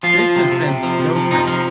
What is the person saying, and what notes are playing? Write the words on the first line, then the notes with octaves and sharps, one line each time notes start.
This has been so great.
F3 F4
F3
C3
C3
C3
F3
C3
F3
C3 D#4
F3